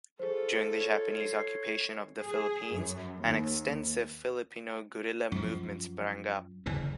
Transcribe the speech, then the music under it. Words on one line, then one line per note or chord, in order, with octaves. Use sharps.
During the Japanese occupation of the Philippines an extensive Filipino guerrilla movement sprang up.
F4 G#4 A4 C5
C#5
C7
G#4
F#2
D#2
F#2 F3
F#1 D2 C#3 E3